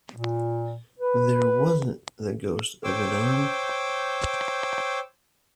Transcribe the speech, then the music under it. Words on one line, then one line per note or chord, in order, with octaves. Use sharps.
There wasn't the ghost of an arm!
A#2
B4
C5 C#5 G5 D6 E6